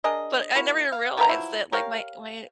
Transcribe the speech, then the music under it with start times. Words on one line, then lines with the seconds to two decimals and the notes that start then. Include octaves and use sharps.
But I never even realized that, like my my
0.04 D4 G#4 A#4 D#5
0.55 A#3 E4 F#4
0.92 F5
1.17 D#3 A#4 B4 A#5
1.29 F3 F#3 E4
1.72 G4 A#4 C#5 F5